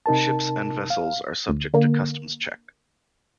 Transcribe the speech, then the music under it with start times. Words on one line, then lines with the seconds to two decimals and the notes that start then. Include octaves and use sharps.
Ships and vessels are subject to customs check.
0.06 C3 D#4 A#4 A5
0.90 F5
1.48 D2
1.74 D3 A#3